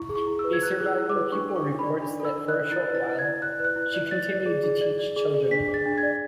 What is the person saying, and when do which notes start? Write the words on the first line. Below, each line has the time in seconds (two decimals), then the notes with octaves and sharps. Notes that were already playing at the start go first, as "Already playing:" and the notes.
A surviving pupil reports that for a short while, she continued to teach children.
Already playing: E4 C#6
0.09 G#4
0.15 C#6
0.27 E4
0.39 E6
0.44 B4
0.53 G#6
0.62 E4 F#6
0.80 G#4
0.86 E6
0.97 E4
1.09 D6
1.15 B4
1.32 D4 C#6
1.49 A4
1.56 C#6
1.67 D4
1.79 D5 B5
2.02 D4 B5
2.20 A4 E6
2.36 D4
2.48 F#6
2.54 D5
2.72 E4 A6
2.89 B4
2.95 A6
3.06 E4
3.19 G#6
3.25 D5
3.41 E4 F#6
3.60 B4 F#6
3.76 E4
3.94 D5
4.11 D5 A6
4.29 D5
4.46 G#4
4.63 G#4
4.81 D5
4.99 D5
5.16 G#4
5.34 G#4
5.51 D4 B6
5.68 G#4
5.74 A6
5.86 D4
5.98 G#6
6.03 D5